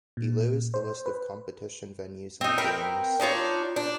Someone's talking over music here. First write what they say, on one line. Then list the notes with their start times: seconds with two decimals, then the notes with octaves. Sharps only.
Below is the list of competition venues in the Games.
0.17 A#2
0.74 C5
1.06 B4
2.41 C4 D#4
2.58 C4 A#4 B4 G5
3.20 D4 D#4 F4 C#5
3.76 D4